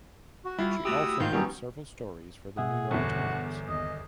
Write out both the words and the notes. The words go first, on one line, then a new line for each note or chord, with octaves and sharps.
She also wrote several stories for "The New York Times".
F#4
G3 E4 F4
A3 F#4 G4 D#6 E6
G#2 D#3 F4 G6
F#3 G3 B3 C#4
B2 G#4 E5 F#5
G1 E2 F#4
D#2 D#5